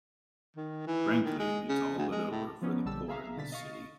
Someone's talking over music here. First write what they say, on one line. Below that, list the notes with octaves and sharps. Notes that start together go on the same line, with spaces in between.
Frankly, it's all but over for the poor in this city.
D#3
E3
D#3
G#3
C#3
D2
G#3
A2
F3 B3 C#4 D#4
A#1 D3 G3 A5 E6
G#4 E5 F5 A#5
B2 D3 A6 B6
D#5 F5 C#6 A6